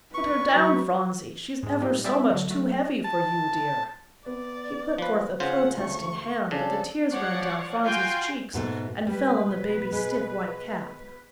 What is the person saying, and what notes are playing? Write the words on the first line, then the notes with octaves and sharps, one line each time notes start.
"Put her down, Phronsie; she's ever so much too heavy for you, dear." He put forth a protesting hand, but the tears ran down Phronsie's cheeks and fell on the baby's stiff white cap.
B4 C#6
F#3
G#2 G#3
A#2 G3 D#4
G3 G#3 C4 E4 D5 E5
D3 F#3
F#3 A3
A5
B3 D5
F3 B4
C#3 F4 C5 F#5
D2 C#6
C#3 F3 D4 A4 C#5
F3 C#5 D5 F#5
F4 F#4 G5 G#5 C6
G#2 B2 A3
B2 G3 B4
G#3